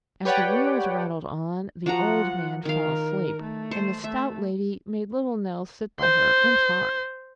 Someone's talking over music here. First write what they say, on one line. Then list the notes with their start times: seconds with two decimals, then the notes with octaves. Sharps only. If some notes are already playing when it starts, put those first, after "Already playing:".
As the wheels rattled on the old man fell asleep, and the stout lady made little Nell sit by her and talk.
0.25 G4 B4 C#5 D5 F#5 G5
1.86 F3 F4 F#4 F#5 A#5
2.65 D#3 A#4 F5
3.43 A3
3.71 C5
4.04 A3 E5
6.00 C5